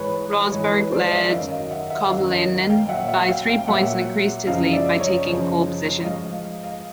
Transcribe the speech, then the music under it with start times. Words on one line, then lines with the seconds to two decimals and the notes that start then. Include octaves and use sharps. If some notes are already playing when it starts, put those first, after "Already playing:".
Rosberg led Kovalainen by three points and increased his lead by taking pole position.
Already playing: G#2 E3 B4 C#5
0.52 G#2 E3 C#5 D#5
0.72 B4 C#5
0.92 C5 D5
1.11 D5 E5
1.31 F#2 D#3 F#3 D#5 F5
1.50 D#5 F5
1.71 E5 F#5
1.90 E5 F#5
2.10 F#2 D#3 F#3 D#5 F5
2.30 C#5 D#5
2.69 F5 G5
2.89 A#2 F#3 E5 F#5
3.08 E5 F#5
3.28 F5 G5
3.48 F5 G5
3.67 A#2 F#3 E5 F#5
4.47 F#2 C#3 F3 D#5 F5
4.72 D5 E5
4.99 C#5 D#5
5.25 F#2 C#3 F3
6.03 G#2 F3 D#5 F5
6.23 D#5 F5
6.63 D#5 F5